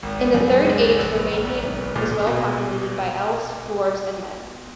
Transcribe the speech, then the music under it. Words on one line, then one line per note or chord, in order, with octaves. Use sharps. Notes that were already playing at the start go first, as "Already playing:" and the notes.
In the Third Age Rhovanion was well-populated by Elves, Dwarves, and Men.
G#1
B3
F#2
G#3
C#2
C#4
A#1
B3
G#1
G#1
B1
B3
A#2
A#2
B2